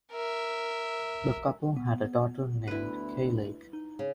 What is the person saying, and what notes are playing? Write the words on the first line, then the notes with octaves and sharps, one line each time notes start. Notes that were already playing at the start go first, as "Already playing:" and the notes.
The couple had a daughter named Kayleigh.
A#4 E5
B3
D2 E4 B4
D#4
C#3